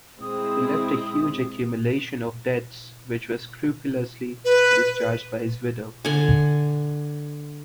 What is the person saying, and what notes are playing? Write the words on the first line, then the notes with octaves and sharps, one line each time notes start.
He left a huge accumulation of debts which was scrupulously discharged by his widow.
G#3 C4 E4 D#6
B4
D3 G#5